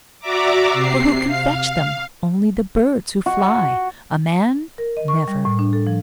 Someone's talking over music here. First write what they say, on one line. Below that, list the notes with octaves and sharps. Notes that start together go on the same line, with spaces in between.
For who can fetch them? Only the birds who fly; a man, never.'
F#4 D5 E5 A#5 D6
C3 C7
F5
F#4
A#4
D#5
C#6
G3
A2
D4
A4
F3